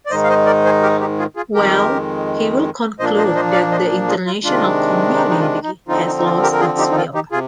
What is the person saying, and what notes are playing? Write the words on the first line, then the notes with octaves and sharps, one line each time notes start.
Well, he will conclude that the international community has lost its will.
D5
G#2 D#3 G#3 D#4 C5 D#5
F5
C5 D#5
A#4 D5
G#4 C5
G4 A#4
D#4 G4
F4 G#4
F4 G#4
F2 D#3 G#3 G4 A#4
A#2 F3 A#3 D4 C5 D#5
C5 D#5
C5 D#5
D5 F5
C5 D#5
F4 G#4
F4
C3 D#3 G#3 D4 F4
D#4
D#4
F4
D#4
D3 F3 C4 D#4 F4
D#4
D#4
F4
G4 A#4
A#4
F4 G#4
D#4 G4
D#4
F4
D#4 G4
C3 F4 G#4